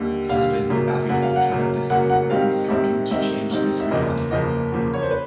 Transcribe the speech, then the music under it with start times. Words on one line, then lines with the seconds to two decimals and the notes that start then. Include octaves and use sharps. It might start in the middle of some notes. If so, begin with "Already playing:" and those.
It has been invaluable to have this support in starting to change this reality.
Already playing: D#2 D3 G3
0.29 D#2 D3 G3 F5
0.69 F#2 C#3 F#3 A#3
1.09 F#2 C#3 F#3 A#3 F#5
1.22 F5
1.36 F#5
1.49 F#2 C#3 F#3 A#3
1.90 F#2 C#3 F#3 A#3 F#5
2.10 F#5
2.30 G#2 D#3 G3 C4 D#4 F5
2.70 G#2 D#3 G3 C4 D#4 E5
3.10 G#2 D#3 G3 C4 D#4 E5
3.51 G#2 D#3 G3 C4 D#4
3.80 E5
3.91 F#1 E2 C#3 F3 A#3 D#5
4.31 F#1 E2 C#3 F3 A#3 D#5
4.72 F#1 E2 C#3 F3 A#3
4.94 C#5
5.03 C5
5.11 B4